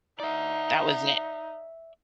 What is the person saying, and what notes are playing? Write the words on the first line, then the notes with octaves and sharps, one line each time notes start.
that was it.
D#4 D5 E5